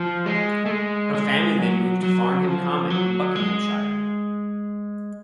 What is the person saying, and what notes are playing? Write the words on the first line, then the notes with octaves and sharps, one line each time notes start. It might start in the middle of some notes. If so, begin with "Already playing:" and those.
Her family then moved to Farnham Common in Buckinghamshire.
Already playing: F3
G#3
A3
G#3
G#3
F#3
F#3
F3
F#3
G#3